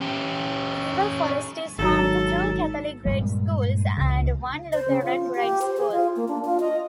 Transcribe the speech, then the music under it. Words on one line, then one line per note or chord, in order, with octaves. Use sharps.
River Forest is home to two Catholic grade schools and one Lutheran grade school.
C#4 G4
G#1 F#3 D#4 A4
G2 A#2 G3 G#3
C#2 C#3
C5
C#3
F4
G4
C5
G#4
F4
A#3
D4
F4
D#5